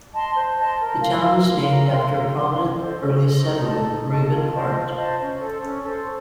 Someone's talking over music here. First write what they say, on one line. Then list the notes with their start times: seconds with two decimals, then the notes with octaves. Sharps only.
The town is named after a prominent early settler, Reuben Hart.
0.14 D#5 A5 C6
0.36 C5
0.58 D#5 A5 C6
0.80 A#4
1.02 F5 C6
1.24 A#4
1.45 F5 C6
1.68 A#4
1.90 F5 C6
2.12 A#4
2.34 F5 C6
2.55 C#4
2.78 A4 C5 D#5
2.99 C#4
3.21 A4 C5 D#5
3.44 D#4
3.65 A4 D#5 A5
3.88 D#4
4.09 A4 D#5 A5
4.31 F4
4.53 C5 D#5 A5
4.75 F4
4.97 C5 D#5 A5
5.19 C#4
5.41 A4 C5
5.62 C#4
5.84 A4 C5